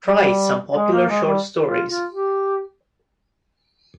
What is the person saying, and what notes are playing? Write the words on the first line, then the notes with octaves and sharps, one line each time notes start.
Try some popular short stories.
G3
G#3
A#3
G#3
G3
F4
F4
G4